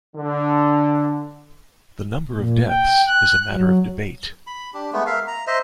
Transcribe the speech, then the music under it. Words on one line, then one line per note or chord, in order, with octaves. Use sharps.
The number of deaths is a matter of debate.
D3
A#2
G5
F#6
F#3
B5
D4 G4
G#3 A3 B3
A#4 E5 F5
A#5
C5 D#5 E5